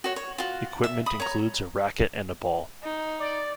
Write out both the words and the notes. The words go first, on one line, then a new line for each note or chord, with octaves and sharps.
Equipment includes a racquet and a ball.
F#4 C#5
C#5
F4 F#4
E5
B5 D#6
C#5 A#5
D#4
D5